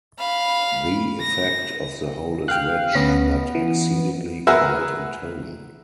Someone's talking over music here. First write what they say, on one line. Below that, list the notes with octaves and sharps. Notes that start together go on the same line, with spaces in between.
The effect of the whole is rich, but exceedingly quiet in tone.
F5 B5
A#6
F5 G5 F#6
D2 B3 C#4
E3
F#4 G#4 A#4 B4 E5 F#5